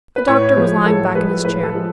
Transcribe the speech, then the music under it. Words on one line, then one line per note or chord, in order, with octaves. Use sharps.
The Doctor was lying back in his chair.
B4
A2 C#5
F3 G#3
A2 A4
F3 G#3 B4
A2 B4
A4
F3 G#3